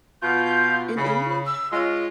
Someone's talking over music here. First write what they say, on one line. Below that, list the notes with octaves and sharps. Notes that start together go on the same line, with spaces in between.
in English?
B2 F4 G6
C#3 B5
E6
G#3 C#4 F4 D#5